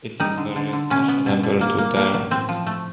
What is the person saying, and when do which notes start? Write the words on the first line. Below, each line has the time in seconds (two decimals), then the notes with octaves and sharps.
It is very fashionable to dare.
0.20 G3 D#4
0.37 D3
0.56 D3
0.73 D3
0.90 B2 C#4
1.08 B3
1.26 B2
1.43 B2
1.61 A#3
1.78 A#3
1.96 A#3
2.14 F#3
2.31 A2 C4
2.49 F3
2.66 A3